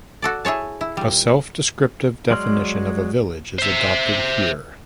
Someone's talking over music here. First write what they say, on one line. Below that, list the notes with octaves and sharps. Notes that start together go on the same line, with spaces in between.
A self-descriptive definition of a village is adopted here.
F#4 A4 D5
E4 G#4 C#5 A5
E4
A#2 G3
F#3 G#3 D5 C6 F6
C5 E5